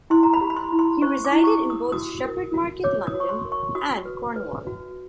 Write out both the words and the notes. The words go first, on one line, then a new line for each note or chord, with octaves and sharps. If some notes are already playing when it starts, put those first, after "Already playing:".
He resided in both Shepherd Market, London and Cornwall.
E4 C6
A#5
B5
G4
B5
C6
E4
C6
C5 C#6
D6
E4
C#6
D6
G4
D#6
F#4 D#6
A#4
F#4
C#5 D6
D#6
F#4
C#6
C6
A#4
C#6
F#4 D#6
B4
B4
F#4